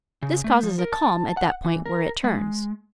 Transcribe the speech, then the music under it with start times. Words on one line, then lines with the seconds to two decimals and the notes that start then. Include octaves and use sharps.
This causes a calm at that point where it turns.
0.23 C#3
0.44 A3
0.63 F3
0.79 A#4
0.92 A5
1.37 F#5
1.65 E3
1.86 A#4
2.24 G#3